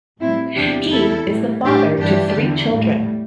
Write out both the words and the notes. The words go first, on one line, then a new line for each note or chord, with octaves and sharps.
He is the father to three children.
A2 G3 C4 E4
E2 C3 E3 G3 D4 G4
E2 E3 G3 E4 A4
A2 E3 G3
A2 G3 D4 G4
G2 E3 G3 D4 G4
E2 D3 G3
A2 G3